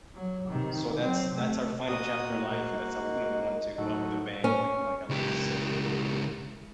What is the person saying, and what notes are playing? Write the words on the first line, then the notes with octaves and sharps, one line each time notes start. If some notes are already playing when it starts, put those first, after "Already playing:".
So, that's that's our final chapter in life, and that's how we you know, we want to go out with a bang, like like I like to say.
F#3
C3 D#3
F#3 C4
C3 A3
A#2 F#4 D#5 D#6
A#3
A#3 F#4 D#5
D#5
A2 F#3 D#4
C#4
C#2 G4